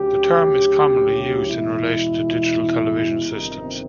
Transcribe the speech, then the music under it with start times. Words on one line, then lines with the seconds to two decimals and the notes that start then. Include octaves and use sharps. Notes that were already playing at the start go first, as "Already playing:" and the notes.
The term is commonly used in relation to digital television systems.
Already playing: D2 C#3 F#3 G4
1.47 E2 B2 G#3 E4
3.25 G1 F2 C3 D#3 G3 D#4